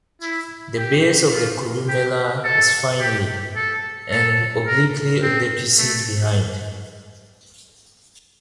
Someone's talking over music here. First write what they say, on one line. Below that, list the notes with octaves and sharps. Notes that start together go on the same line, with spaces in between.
The base of the columella is finely and obliquely decussate behind.
E4
G4
F4
G4
A4
G4
A4
A4
A#4
C4
A3